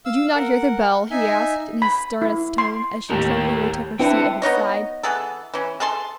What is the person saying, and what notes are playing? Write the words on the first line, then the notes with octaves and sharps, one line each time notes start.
"Did you not hear the bell?" he asked, in his sternest tone, as she tremblingly took her seat at his side.
F5 E6
A#4 F#5
D#4 E5 G#5
B5
E4
C6
D#2 A2 G4 A#4
C4 D4 E4 B4 E5 G5
B3 D#4 C#5 D#5
E3 B3 G#4 A4
E3 C#4
G#4 A4 A5 C6